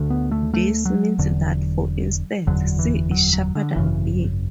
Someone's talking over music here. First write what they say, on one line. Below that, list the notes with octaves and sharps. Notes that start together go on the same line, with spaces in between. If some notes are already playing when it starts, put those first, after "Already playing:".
This means that, for instance, C' is sharper than B.
Already playing: D2 D3
B3
A3
A3
F#3
E1 E2 D3
F#1 E2 D3 F#3
E3
F#3
F#3
D3
G#1 F#2 C#3 E3